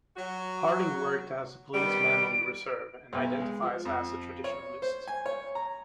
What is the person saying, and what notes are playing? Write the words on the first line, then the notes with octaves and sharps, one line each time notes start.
Harding worked as a policeman on the reserve and identifies as a traditionalist.
F#3 F#4
D#3 G3 B3 D7
B1
G#3
F3
F2
C#5
C5
G#5
C#5
A#5